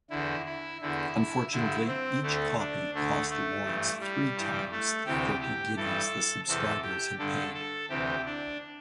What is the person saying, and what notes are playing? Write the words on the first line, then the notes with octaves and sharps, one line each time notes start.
Unfortunately, each copy cost Lawrence three times the thirty guineas the subscribers had paid.
E2 D3 E4
E4
E2 D3 E4
G2 D3 E4
C4
D2 D3 A3
D4
D2 D3 A3
A3
G2 E3
G3
G2 E3
A3
D2 C3 E3 G4
G4
G2 E3 A4
E2 C3 E3 A4
G4
G2 D3 A4
A4
D2 C3 E3 G4
D4